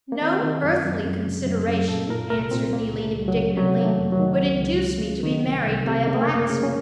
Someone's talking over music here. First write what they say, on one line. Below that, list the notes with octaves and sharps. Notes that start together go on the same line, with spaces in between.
"No earthly consideration," answered Neelie, indignantly, "would induce me to be married by a blacksmith!"
A#3
D#3 C4
D#3
F#2
F#2
F#2
C#3
F#2
F#2
A#2 A4
A#2 A#4
C2 A#4
A#2 C4
C#2 A#3
C#3
A3
C#2
F#3
C#3
C3 F#3
D#3 A#3
A3
F2
F#3
D#3
C#2
C#2
C#3
C#3
D#3
C2
C2
C3
C#3 A#3
A3
A#3
F#2
A#3
C#3
C#4